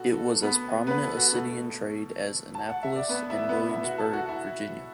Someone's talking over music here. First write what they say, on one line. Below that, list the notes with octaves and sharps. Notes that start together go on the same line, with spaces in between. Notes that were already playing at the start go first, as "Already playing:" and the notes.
It was as prominent a city in trade as Annapolis and Williamsburg, Virginia.
Already playing: B2 B3 F#4 A4
A4
B3 B4
B3 B4
A4
F#4
B2 A3 A4
A5
F#5
E5
D5
B3 B4
E4 E5
B3 B4
B2 B3 E4 E5
F#4 F#5
A4 A5
F#4 F#5
E4 E5